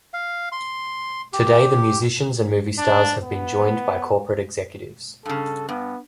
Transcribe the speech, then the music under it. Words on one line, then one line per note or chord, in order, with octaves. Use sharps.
Today the musicians and movie stars have been joined by corporate executives.
F5
C6
G4
D4
B3
G2 C#3 A4
G2 B3